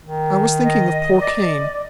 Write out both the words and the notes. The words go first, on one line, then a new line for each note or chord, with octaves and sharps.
I was thinking of poor Cain.
D#3
D#5
D5